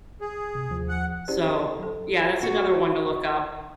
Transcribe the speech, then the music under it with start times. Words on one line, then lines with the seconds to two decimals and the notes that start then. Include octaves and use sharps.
So, yeah, that's another one to look up.
0.21 G#4
0.55 C3
0.69 D#2 F3
0.89 F#5
1.28 C#4 E4 G4 G#4 C5 D5
1.79 F#3 A4
2.43 F#4